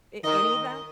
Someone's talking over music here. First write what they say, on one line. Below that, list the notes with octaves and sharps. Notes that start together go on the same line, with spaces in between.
A any of that?
D#3 D#5